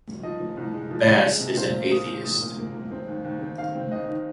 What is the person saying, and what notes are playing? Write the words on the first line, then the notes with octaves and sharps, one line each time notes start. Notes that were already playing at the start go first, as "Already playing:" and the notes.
Bass is an atheist.
F3 D#5
F3
C2
G#3
F3
G#3
G#3
C3
A#2 C5
A#3
A#3 D#6
A#2
A#2 D#6
A#3
A#3
A#3
C4
D#2
D#2
C4
D#3 F5
C4
D#2 D#5
D#3